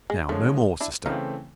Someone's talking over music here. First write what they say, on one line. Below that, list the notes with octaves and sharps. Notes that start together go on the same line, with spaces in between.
Now, no more, sister!
G#3
D3 F3 G#3 A3 C#4
D4 E4
C#3 E3 A3 C4 D#4 F4